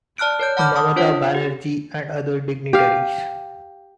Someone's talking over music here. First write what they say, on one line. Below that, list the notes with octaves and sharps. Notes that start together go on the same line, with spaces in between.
Mamata Banerjee and other dignitaries.
D5 A5 F6 F#6 D7
A#4 C#5 G6
F#5 A5 B5 D6 F6 G6
A5 D#6
D4 F4 C5 C#5 F#5
G4
G4 F5